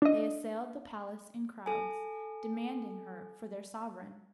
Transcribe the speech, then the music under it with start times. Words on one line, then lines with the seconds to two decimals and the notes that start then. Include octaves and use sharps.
They assailed the palace in crowds, demanding her for their sovereign.
0.02 D4 D#5
1.66 A4 G#5